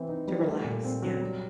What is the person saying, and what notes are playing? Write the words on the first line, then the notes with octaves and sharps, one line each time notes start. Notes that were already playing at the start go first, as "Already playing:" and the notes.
To relax, yeah.
Already playing: E3 C4
D#4
G3
A3
A#2
C4
F#3
G3